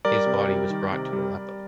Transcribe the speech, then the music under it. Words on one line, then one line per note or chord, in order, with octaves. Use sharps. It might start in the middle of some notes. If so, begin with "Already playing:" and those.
His body was brought to Aleppo.
G3 A#4 D5
C3
G3
D#3
C3
G3
G3